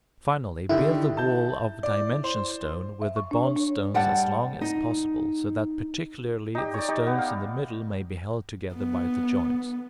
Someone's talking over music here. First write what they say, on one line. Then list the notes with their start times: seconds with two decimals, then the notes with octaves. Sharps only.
Finally, build the wall of dimension stone, with the bond stones as long as possible, so that particularly the stones in the middle may be held together by the joints.
0.69 D3 D#3 E4 G4
1.17 A5 G6
1.83 D5
2.24 C5
3.02 E5
3.16 C#6
3.31 D4
3.45 C#5
3.56 D4
3.94 G3 F#5 A5
4.61 D#4
6.55 D#4 G4
6.74 C#5 D5
6.88 D#4 G4
7.07 B3
7.18 F5
8.75 B3